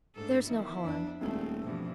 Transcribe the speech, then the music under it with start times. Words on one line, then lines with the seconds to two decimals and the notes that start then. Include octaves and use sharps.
'There's no harm.
0.15 G#2 A3 D4 A4
0.46 D#3 F3 B3 E4
0.83 F2 D4
1.20 D#1 G#3 A3 C4
1.63 G2 B2 E3 F3